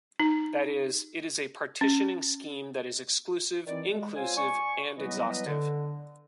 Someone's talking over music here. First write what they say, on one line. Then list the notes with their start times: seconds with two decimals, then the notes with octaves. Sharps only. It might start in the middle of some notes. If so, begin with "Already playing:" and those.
That is, it is a partitioning scheme that is exclusive, inclusive, and exhaustive.
0.20 D#4
1.81 C#4
3.67 D#3 E3 C4 E4 D5
3.91 G#3
4.15 C4 F4 C#5 F5 G#5
4.36 D5 G#5 C#6
4.98 E3 F#3 G3 B3 B4 D#5
5.46 D3